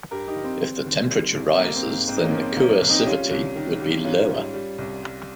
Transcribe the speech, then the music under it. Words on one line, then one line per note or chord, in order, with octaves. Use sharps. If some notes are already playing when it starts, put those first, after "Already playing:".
If the temperature rises then the coercivity would be lower.
G2 G4 A#4
D#4 G4
F3
C4
G3
D#2
G3
C2
C4
G3 A#3
C4
G#2
A#3
G#2 C4
D#4
A#3 C#4
F3
C4
F3 A#3 C#4
C2
C4 D#4
G4
G3 C#4 F4
C2
D#3
G3
G#2 C#4 F4
G3
G3
C2
G3